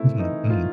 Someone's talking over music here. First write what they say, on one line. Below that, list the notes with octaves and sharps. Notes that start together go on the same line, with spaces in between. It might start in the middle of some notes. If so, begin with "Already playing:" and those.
Mhm, mhm.
Already playing: A3 C4 E4
E3 D#4
F4